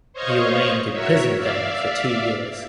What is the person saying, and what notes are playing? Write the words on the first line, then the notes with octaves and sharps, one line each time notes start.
He remained imprisoned there for two years.
C5 C#5 D#5 F5 C#6
F#4 A#4 C#5 E5
D5 E5 F5